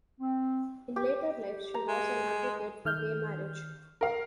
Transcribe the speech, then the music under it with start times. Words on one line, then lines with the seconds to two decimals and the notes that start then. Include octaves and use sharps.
In later life, she was an advocate for gay marriage.
0.19 C4
0.96 G4
1.74 A#5
1.88 G#3
2.85 D#3 F6 G6
4.01 A#4 F5